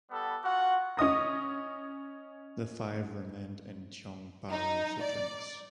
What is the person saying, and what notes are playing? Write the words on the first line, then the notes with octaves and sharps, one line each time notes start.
The five remained in Tiong Bahru for drinks.
G3 B3 A4
F4 F#4 F#5
C#4 D#5 D#6 A#6
D#4
D5